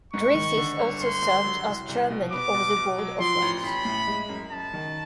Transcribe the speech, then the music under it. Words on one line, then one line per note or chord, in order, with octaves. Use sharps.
Griffith also served as Chairman of the Board of Works.
G#2 C#6
D#3
D3
G1
G1 C6
G2
F#3
C2
C2
B2
B3 D6
B2
B2
F#3
F3 C6
A1
A1 B5
A2
G#3
F#2
F#2 A5
D#3